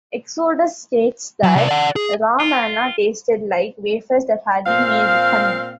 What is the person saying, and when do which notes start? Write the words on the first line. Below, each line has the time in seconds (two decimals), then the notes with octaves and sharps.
Exodus states that raw manna tasted like wafers that had been made with honey.
1.43 F#3
1.55 C3 D5
1.69 D5 F#5
1.96 G#4
2.40 F4
4.66 A#2 C4 F5